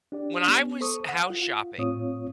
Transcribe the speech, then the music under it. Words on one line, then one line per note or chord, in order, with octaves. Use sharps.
when I was house shopping
D4 G4 D5
B3
A4 C5 C#6 D#6
F#5
F4
A2 C4 F4 C#5 D#6